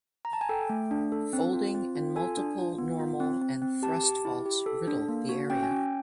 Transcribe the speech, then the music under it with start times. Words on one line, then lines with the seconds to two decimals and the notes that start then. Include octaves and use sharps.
Folding and multiple normal and thrust faults riddle the area.
0.25 A#5
0.33 A5
0.41 G#5
0.49 A4 G5
0.70 A3
0.91 D4
1.12 A4
1.33 C4
1.53 F4
1.75 C4
1.96 F4
2.16 A4 G#5
2.37 D4
2.58 F4
2.78 B3
3.00 F4
3.20 C4
3.42 C4
3.62 C4
3.82 G4 A5
4.04 G4
4.25 E4
4.46 G4
4.66 A4
4.88 D4
5.08 A#3
5.29 F#4
5.50 C#4 G5
5.63 G#5
5.71 C#4
5.76 G5